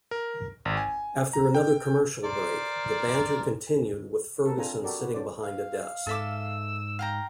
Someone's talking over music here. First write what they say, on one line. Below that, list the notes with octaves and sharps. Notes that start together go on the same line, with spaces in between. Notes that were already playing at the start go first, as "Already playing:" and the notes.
After another commercial break, the banter continued with Ferguson sitting behind a desk.
A#4
G#1
G#5
A#5
G5
A#4 C5 D5
A4 A#4
C4 D4 F4 G#5 A#5
F#4 G4 A4 A#4 D5
F#4 B4
C#4 D4 C5 D5
F5
G#2 A4 E5 D6 E6
F5 G5 A#5